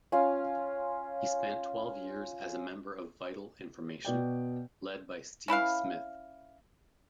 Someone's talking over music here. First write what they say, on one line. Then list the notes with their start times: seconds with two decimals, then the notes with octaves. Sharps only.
He spent twelve years as a member of Vital Information, led by Steve Smith.
0.12 C#4 F4 F5
4.05 B2 D5 G5
5.48 C#4 E4 B4 F5